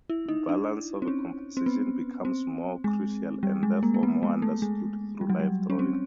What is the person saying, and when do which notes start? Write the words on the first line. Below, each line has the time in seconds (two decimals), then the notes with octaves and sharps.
Balance of a composition becomes more crucial and therefore more understood through life drawing.
0.10 E4
0.29 D#4
0.49 D4
1.02 C4
1.08 C#4
1.57 C4
1.66 B3
2.25 C4
2.84 G#3
3.43 G3
3.63 G#3
3.83 A#3
3.94 A#3
4.03 B3
4.23 G#3
4.42 A3
4.62 G#3
5.21 G3
5.30 F#3
5.40 G3
5.70 C#4
5.79 C4